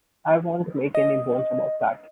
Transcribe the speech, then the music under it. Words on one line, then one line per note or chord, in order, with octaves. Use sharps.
I won't make any bones about that.
D#5